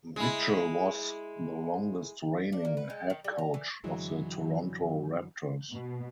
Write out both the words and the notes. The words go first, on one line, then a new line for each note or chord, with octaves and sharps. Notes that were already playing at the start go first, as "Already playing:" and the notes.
Mitchell was the longest reigning head coach of the Toronto Raptors.
G#3 E4
D4
A#3
B4
G#3
D#3
G3
A#5
E3
F#2 D3 E3 F#3 G#3 E4
B2